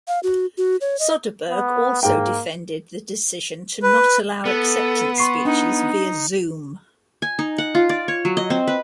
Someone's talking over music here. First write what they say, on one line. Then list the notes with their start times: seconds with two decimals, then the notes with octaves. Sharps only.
Soderbergh also defended the decision to not allow acceptance speeches via Zoom.
0.08 F5
0.23 F#4
0.58 F#4
0.81 C#5
1.00 D#5
1.50 B3
2.03 G#2 A#3 G5
3.83 B4
4.45 B3 A4
5.18 C6 C#6 C7
5.45 D4 D#4
7.22 G#5
7.39 D#4
7.58 F#5
7.75 F4
7.90 D5
8.08 C#5
8.25 F#3
8.37 D#5
8.50 C4
8.67 B4